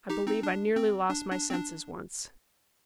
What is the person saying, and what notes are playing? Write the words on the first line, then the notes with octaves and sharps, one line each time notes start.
I believe I nearly lost my senses once.
D#4 G4
C4 D#4
D4
C4
D4
D4
C4
D4